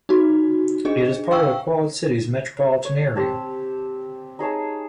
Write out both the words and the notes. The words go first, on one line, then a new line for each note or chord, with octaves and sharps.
It is part of the Quad Cities metropolitan area.
D#4 F#4
D4 G#4 D#5
F5 G5 C#6 E6
C#5
C4 G4 A5
D#4 G#4 C#5 A5